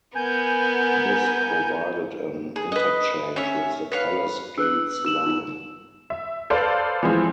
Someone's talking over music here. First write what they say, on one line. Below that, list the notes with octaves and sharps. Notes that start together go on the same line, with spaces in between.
This provided an interchange with the Palace Gates Line.
B3 A#4 G#5 G6
G#4
B4 D#5
C#4 C#5 E5
B4 C#5 F5
D4 B4 E6 F#6
E6 E7 F#7
D#4 F4
E5
A4 B4 C5 D5 F5
E3 F3 G#3 C4